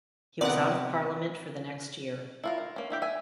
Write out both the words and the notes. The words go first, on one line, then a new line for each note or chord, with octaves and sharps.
He was out of Parliament for the next year.
C3 B3 D#4 D5 F#5
E4 F4 A#4
F4
A#3 C#4
A#3 E4 G4
E5 G#5